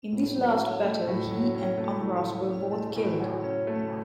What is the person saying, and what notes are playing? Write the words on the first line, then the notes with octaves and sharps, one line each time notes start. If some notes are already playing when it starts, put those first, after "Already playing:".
In this last battle, he and Amras were both killed.
A2
F#3
C#4
A3
A2
F#3
C#4
A3
A2
F#3
C#4
A3
A2
F#3
C#4
A3